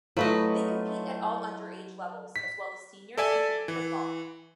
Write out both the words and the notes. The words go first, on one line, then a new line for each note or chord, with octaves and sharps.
They compete at all underage levels as well as senior and junior football.
F#3 A3 E4 F4 B4 D#5
B6
A4 D5 E5 G#5
E3